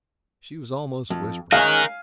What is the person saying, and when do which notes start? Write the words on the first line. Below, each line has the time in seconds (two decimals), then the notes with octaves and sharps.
She was almost whispering.
1.10 F2
1.52 G#3 C#4 A#4 D#5 F5 G#5 F#6